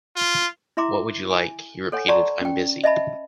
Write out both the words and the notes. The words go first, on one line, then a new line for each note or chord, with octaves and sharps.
What would you like? he repeated; I am busy.
F4
E4 E5 A#5 C6 D6
G#5
A4 C#5 F#5 G#5
D5 F#5 A5 A#5 C6 C#6
C#4 G5
D#5 E5 A5 B5